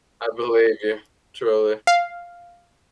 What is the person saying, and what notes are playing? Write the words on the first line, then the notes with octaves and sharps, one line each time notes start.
I believe you, truly.
F5